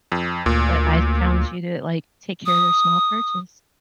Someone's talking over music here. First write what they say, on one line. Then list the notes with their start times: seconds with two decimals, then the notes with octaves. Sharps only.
but I challenge you to, like, take care of small purchase,
0.12 F2
0.46 D2 A#2
2.46 D#6